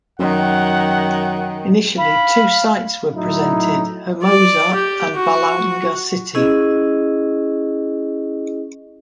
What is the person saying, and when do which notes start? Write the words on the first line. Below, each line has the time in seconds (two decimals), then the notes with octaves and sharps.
Initially, two sites were presented: Hermosa and Balanga City.
0.19 F#2 D#3 F#5
1.98 F5 B5
3.15 A2 F#3 D#4 E4
4.24 D5
4.74 G4
5.16 F#4
6.35 C#4 E4 G#4 D#5